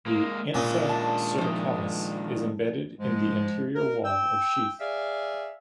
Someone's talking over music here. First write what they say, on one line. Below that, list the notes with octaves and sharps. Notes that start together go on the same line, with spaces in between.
The ansa cervicalis is embedded in the anterior wall of sheath.
G#3 A#3
A#2 D#3 G#3 C#4 D4
A5
F3 D#4
G#2 F3 G#3
A#4
G5 E6
G#4 D5 E5 F5